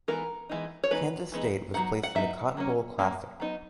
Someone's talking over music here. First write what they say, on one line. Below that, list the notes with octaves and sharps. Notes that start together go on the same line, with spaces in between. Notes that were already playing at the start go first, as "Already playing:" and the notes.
Kansas State was placed in the Cotton Bowl Classic.
E3 G#3 B3 D#4 A#4
E3 G#3 B3 D#4
C#5
E3 G#3 B3 D#4 B4
E3 G#3 B3 D#4
F#3 B3 D#4 F#5
F#5
F#3 B3 D#4 E5
F#3 A#3 C#4
F#3 A#3 C#4
F#3 B3 D#4